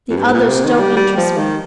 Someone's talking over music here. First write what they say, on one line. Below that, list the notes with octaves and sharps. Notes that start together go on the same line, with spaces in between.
"The others don't interest me."
F2
G2
G#2
A#2
C3
D#3
G3
G3
F3
D#3